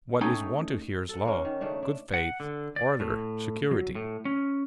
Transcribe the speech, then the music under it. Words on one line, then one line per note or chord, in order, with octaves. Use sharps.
What is wanted here is law, good faith, order, security.
A3 C#4 D#4 G5 G#5 A#5
A4 F#5
A#3 C#4
D#3
C#3 A3 D4 D#4
D4
F#5
D3
D5
A2
F#3
A2
C#4